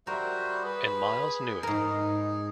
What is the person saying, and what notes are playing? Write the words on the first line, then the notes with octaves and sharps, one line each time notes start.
And Miles knew it.
G3 F#4 A#4 C5 E5
G#4 B4
G#2 D#4 A#4